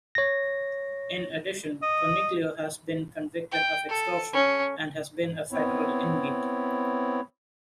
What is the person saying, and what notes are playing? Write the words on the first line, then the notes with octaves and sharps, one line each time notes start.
In addition, Coniglio has been convicted of extortion and has been a federal inmate.
C#5 A#6
D#5
G5
A4
C#4
B3 C4 E4 C#5